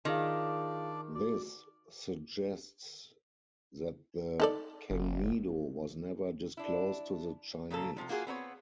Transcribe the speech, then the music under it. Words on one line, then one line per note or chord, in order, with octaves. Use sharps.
This suggests that the Kangnido was never disclosed to the Chinese.
D#3 D4 F4 G#4 D5 F5
F#4 D5
D#4 A4 D5
F#1
D4 E4
A#2 C#3 A#3 A4
C3 F3
A#3 F4 F#4 G#4
B3 C4 D4 C#5